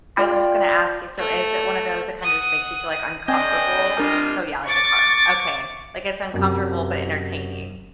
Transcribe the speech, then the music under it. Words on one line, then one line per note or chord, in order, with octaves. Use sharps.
I was just gonna ask you, so is it one of those that kinda just makes you feel, like, uncomfortable? So, yeah, like a car okay, like, it's uncomfortable but entertaining.
F4 D5 G5
A3
F#5 D#6
A2 C4 D4 D#5 G5 G#5 G6
C3 G3 D4 F4 A#4 A5
C#6 D6 A6
F#2 C3